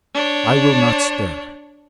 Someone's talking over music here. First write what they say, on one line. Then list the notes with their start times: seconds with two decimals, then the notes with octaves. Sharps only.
I will not stir.
0.15 D4 C#5